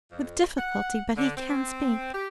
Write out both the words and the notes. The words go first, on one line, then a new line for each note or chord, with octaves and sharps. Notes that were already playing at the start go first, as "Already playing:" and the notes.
"With difficulty, but he can speak."
F2
F#5
D3
C4
G4